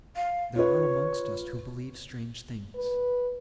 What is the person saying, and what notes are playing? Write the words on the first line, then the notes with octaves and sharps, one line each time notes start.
There are amongst us, who believe strange things.
F5
F4 B4 C#5
B4